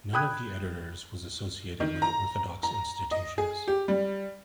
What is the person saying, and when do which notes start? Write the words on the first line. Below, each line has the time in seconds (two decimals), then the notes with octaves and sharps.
None of the editors was associated with Orthodox institutions.
0.13 G5 B5 D#6 F#6 G#6
1.80 D#3
2.02 A#5
2.63 A#5
3.11 D#5
3.38 G#4
3.68 G4
3.88 G3